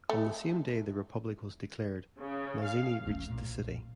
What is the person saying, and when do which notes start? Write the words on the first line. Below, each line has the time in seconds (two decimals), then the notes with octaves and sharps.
On the same day the Republic was declared, Mazzini reached the city.
0.09 A3
2.19 C#3
2.65 F5
3.06 D#1 A1 A3 C#4
3.30 B1 A#2